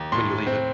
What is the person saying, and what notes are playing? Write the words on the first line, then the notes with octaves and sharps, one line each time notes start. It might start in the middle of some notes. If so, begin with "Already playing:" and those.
when you leave it
Already playing: D#2
A2 C6
C4